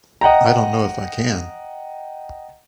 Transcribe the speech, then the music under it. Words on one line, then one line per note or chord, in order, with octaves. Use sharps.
I don't know if I can.
D#5 F#5 G5 A#5